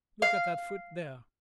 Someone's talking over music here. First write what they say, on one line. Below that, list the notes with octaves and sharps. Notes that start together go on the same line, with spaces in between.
Look at that foot there.
F5